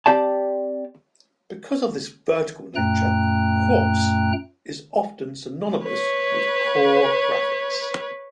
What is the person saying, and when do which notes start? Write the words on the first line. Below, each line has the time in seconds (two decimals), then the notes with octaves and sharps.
Because of this vertical nature, "Quartz" is often synonymous with "Core Graphics".
0.06 C4 G4 D5 A5
2.76 F#2 A#2 A3 G5 A#5 F#6
5.84 B4 C#5